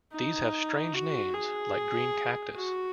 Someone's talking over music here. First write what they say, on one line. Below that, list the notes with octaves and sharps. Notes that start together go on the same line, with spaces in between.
These have strange names like Green Cactus.
D#4
F#4
G#4
F#4